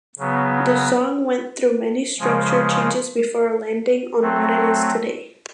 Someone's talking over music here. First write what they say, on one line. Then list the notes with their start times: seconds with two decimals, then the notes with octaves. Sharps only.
The song went through many structure changes before landing on what it is today.
0.18 C#3 F#3 B3
2.19 C#3 F3 G#3
4.21 F#3 A3 C4